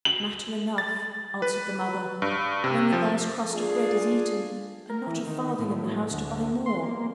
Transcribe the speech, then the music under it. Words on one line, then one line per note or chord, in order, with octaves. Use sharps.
"Matter enough," answered the mother, "when the last crust of bread is eaten and not a farthing in the house to buy more."
F#7
A6
B4
G2
C3
F3
D4 F4 G#4
A#4
E3
D#3
A2
D2
C6
A#3